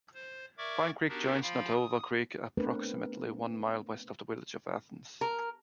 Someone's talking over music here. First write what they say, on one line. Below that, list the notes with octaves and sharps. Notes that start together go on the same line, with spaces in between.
Pine Creek joins Nottowa Creek approximately one mile west of the village of Athens.
C5
A#4 D5 E5 C#6 D6 G#6
B3 D4 D#4 F#4 G4 A#4
F3 F4 F5 G5 B5
D#6
A3 B3 C4 D4 A#4 B4
A#4